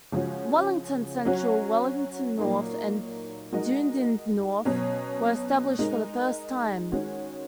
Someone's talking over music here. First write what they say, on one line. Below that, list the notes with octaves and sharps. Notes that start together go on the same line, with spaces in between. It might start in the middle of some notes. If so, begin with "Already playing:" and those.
Wellington Central, Wellington North, and Dunedin North were established for the first time.
C#3 F3 G#3 C#4 F#4
F#3 C#4 F#4
A#2 F#3 A#3 D#4
G#3 D#4 F#4 A#4 D#5
B2 F#3 C#4
G#3 D#4 A#4 D#5
D#3 G#3 C#4 F#4